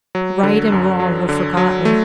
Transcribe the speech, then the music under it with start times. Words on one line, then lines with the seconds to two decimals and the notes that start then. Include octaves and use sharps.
Right and wrong were forgotten.
0.15 F#3
0.43 D3
0.72 F#2
1.00 F#3
1.29 D3
1.57 F#3
1.85 A3